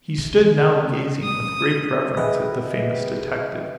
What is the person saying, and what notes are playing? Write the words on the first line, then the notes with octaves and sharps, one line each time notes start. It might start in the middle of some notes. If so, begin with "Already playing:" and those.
He stood now gazing with great reverence at the famous detective.
C3
D#6
G#4 B4 D#5 E5 F#5 G5